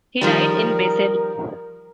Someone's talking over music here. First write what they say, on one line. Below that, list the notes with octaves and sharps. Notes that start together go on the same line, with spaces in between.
He died in Basel.
D#3 F3 G3 A#4